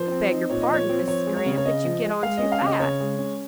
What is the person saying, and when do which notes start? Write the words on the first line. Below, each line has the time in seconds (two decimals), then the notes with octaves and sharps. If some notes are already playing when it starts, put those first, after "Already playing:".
'I beg your pardon, Mrs. Graham--but you get on too fast.
Already playing: F3 C5
0.11 C4
0.32 D#4
0.50 A#2 C#5
0.62 D#5
0.70 F3 C#5
0.89 C4
1.07 F3 C#5
1.27 G#3
1.36 C#5
1.46 C#3
1.57 C#5
1.65 C#3 D#5
1.84 F3
2.04 G#3
2.23 G#3 F5
2.37 C#4 D#5
2.52 F5
2.61 C#3
2.66 D#5
2.80 C#3 C#5
3.00 G#3
3.18 C#4